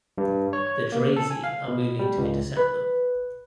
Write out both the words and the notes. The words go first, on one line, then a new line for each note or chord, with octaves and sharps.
The Drazi are moving to intercept them.
G2
C#5
C#5
A#3
A4
G#5
F5
B2
G3
C#2
B4